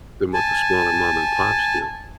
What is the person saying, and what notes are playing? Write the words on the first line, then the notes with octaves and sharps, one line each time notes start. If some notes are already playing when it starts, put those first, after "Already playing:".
than what the smaller mom-and-pops do.
G#5 A5